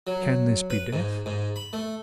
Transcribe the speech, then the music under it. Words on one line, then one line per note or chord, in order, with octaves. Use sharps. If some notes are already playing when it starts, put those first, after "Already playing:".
'Can this be death?
F#3
B4
G#2
G#2
B5
A3